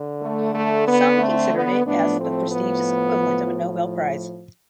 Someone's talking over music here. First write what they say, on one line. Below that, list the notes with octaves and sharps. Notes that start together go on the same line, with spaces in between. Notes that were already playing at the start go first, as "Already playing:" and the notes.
Some considered it as "the prestigious equivalent of a Nobel Prize".
Already playing: D3
A3
A3
B3
A3 C4
B3
A2 F3 A3 B3 D4
A3 C4
B3